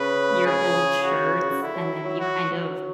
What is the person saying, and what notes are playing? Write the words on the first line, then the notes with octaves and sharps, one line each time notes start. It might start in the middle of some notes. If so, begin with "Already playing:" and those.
your old shirts, and then you, kind of,
Already playing: C#3 B4
G#4
F#4
C#3
D3 E4
F#3
F#3
F#3 F#4